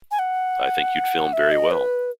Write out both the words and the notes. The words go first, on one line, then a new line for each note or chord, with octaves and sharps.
I think you'd film very well.
G#5
F#5
E5
D#5
B4